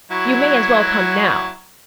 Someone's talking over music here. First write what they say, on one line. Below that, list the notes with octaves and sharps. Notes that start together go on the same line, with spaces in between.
You may as well come now.
F#3 E4 F#4